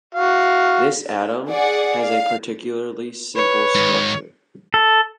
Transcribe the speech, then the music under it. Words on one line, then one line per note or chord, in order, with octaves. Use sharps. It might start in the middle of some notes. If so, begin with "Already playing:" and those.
This atom has a particularly simple structure.
F#4 F5
G#4 D5 F#5
F5
B4 C#5
G#2 D#3
A4